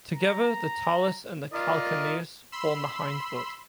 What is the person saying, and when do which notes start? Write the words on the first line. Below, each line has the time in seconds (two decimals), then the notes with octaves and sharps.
Together, the talus and calcaneus form the hindfoot.
0.14 A#5
1.53 F4 A#4 D5 D#5
2.52 B5 C6 E6